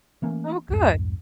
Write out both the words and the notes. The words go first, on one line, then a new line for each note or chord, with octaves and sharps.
Oh, good.
E3 A3 A#3 C#4
C2 F2 G#2